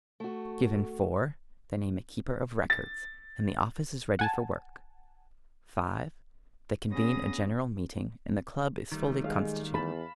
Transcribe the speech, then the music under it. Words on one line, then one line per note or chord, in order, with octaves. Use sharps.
Given four, they name a keeper of records, and the office is ready for work; five, they convene a general meeting, and the club is fully constituted.
A3 F#4
A6
F#5 G#5 A5
B3 C#4 G#4 D#6 A#6
D#3 G3 A3
G#3 F5
E2 A5 B5